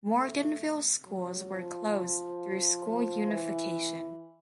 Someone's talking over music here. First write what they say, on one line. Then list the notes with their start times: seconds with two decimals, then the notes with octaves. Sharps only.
Morganville schools were closed through school unification.
0.17 A3
1.06 F#3
1.50 F3
2.83 F3
3.27 E3